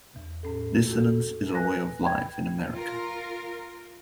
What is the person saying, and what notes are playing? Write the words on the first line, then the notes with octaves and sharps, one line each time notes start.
Dissonance is our way of life in America.
E2
A2 C#4 A4
F#4 A4
B4 G#5 F#6 A#6
G5 B5 G#6
F4 A#4